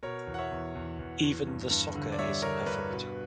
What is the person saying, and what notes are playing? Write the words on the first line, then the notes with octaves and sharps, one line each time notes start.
Even the soccer is perfunctory.
B2 A#4 C#5
E2
F#5
C#5 E5
E2
E2
E2
E2
G2
G2
D3
D5
G3 C#5 E5
D3 A#4 C#5
G2 B4
B2